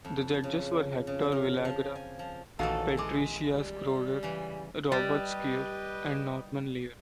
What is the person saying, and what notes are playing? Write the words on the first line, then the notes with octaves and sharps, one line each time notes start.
The judges were Hector Villagra; Patricia Schroeder; Robert Scheer; and Norman Lear.
F2
C#3
C#3
A#4
F3
G#5
F3
A#1 D#3 E3 A3 F#4 A4 F5 A5
G#3 C4 G#5 D6
G3
C#3 E3
G3 G4 B4 D#5